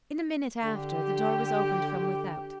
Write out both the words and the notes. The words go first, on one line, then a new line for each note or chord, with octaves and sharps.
In a minute after, the door was opened from without.
D3 G4